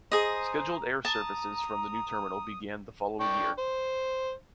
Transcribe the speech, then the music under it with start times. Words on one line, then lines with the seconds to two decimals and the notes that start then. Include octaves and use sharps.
Scheduled air services from the new terminal began the following year.
0.12 G#4 C5 D#5 A#5 D#6
1.05 A5 A#5 D#6
3.20 D4 G5 C#6
3.59 C5